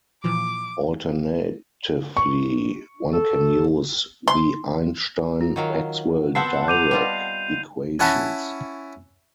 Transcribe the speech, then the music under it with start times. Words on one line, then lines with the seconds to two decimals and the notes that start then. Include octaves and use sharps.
Alternatively, one can use the Einstein-Maxwell-Dirac equations.
0.24 A#2 E3 F3 D6
2.17 C#6
3.13 A4
4.28 C6
5.41 F4
5.56 D#3 F#3 F5
6.35 B3 C4 E5 F#5 A5 C7
6.68 D6 G6 D#7 F7
6.91 G3 F4 B4 D#5 D6
7.13 C7
7.99 C#4 E4 F#5 A5 B5